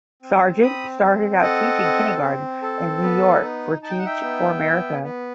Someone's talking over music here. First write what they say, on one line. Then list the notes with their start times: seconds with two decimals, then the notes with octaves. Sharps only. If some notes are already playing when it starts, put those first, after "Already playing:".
Sargent started out teaching kindergarten in New York for Teach for America.
0.22 C4
0.62 C4 B5 D#6
1.02 C4
1.42 A4 D#5 F#5
1.83 C4
2.22 C4
2.62 A4
3.02 B3
3.42 D#4
3.82 D#4 A5
3.90 G5
3.98 F#5
4.05 E5 G5
4.22 B3
4.63 B3
5.03 B3